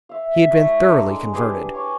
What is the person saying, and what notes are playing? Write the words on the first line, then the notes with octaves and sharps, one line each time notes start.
He had been thoroughly converted.
E5 F5
E4 A4 C#5
D4 A4 D#5 A#5
G#3
D4 G4 G#4 B4
C#5 G#5 C#6 D6